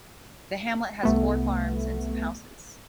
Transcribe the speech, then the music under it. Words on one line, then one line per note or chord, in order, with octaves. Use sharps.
The hamlet has four farms and some houses.
C2 A3 B3